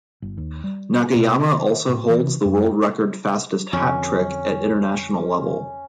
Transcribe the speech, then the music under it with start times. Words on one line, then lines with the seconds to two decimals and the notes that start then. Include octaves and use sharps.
Nakayama also holds the world record fastest hat-trick at international level.
0.22 G1
0.38 D#2
0.64 G3
1.16 B2
1.41 D#3
1.89 A2
2.09 E3
2.45 F#2
3.73 F2 D3 C#4